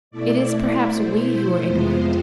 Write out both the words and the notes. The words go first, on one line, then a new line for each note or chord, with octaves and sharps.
It is perhaps we who are ignorant.
B2 A3 E4 D5
C5
C5
F2 C3 G#3 B3 F4